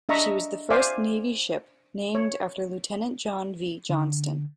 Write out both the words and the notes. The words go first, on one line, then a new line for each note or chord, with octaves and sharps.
She was the first Navy ship named after Lieutenant John V. Johnston.
D4 D#5 E5 A#5 C#6
C5 D5 E5 F5 G#5 D6
C#5
D3